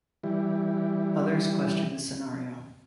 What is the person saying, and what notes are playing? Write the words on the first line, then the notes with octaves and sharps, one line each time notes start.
Others question this scenario.
E3 G3